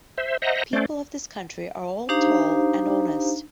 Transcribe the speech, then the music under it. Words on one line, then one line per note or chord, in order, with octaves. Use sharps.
The people of this country are all tall and honest.
C5 E5
C5 D#5 E5 F#5 A#5
A3 C#4 C5 D5
D4 D#4 G4 C5 F5 A#5